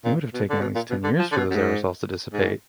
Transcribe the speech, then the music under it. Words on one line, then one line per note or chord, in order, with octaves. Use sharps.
It would have taken at least ten years for those aerosols to dissipate.
A#2
B2
D3
B2
A#2
B2
D3
F3
D3
B2
F#2
G#2
G#2